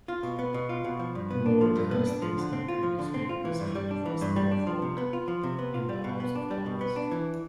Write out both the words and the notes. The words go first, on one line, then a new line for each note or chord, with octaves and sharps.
Lord Hastings had previously represented West Norfolk in the House of Commons.
F4
B2
B3
B2
F4
B2
F3
G2
B3
D4
F3
G2
B3
D4
F3
D3
C4
F4
F3
D3
C4
F4
E3
G2
G3
D4
E3
G2
G3
D4
F3
C3
B3
F4
F3
C3
B3
F4
G3
B2
B3
D4
G3
B2
B3
D4
E3